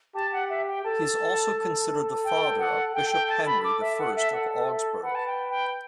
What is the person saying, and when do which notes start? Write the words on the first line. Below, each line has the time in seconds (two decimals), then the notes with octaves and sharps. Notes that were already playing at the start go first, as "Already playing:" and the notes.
He is also considered the father of Bishop Henry the First of Augsburg.
0.15 G4 A5
0.32 F#5
0.50 E5
0.67 G5
0.84 A4 A5
2.25 G5
2.59 F#5
2.94 A4 G5
3.12 G5
3.29 A5
3.46 B5
3.64 D6
3.81 E5
3.99 F#5
4.16 E5
4.33 F#5
4.69 E5
5.03 B4 F#5
5.15 A5
5.27 G5
5.50 G5